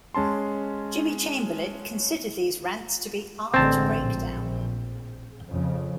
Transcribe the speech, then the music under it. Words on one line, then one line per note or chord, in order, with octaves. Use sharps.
Jimmy Chamberlin considered these rants to be "art-breakdown".
G#3 C#4 A5 C6
A1 D3 G#3 C4 A5
A#1
F2 C#3 F3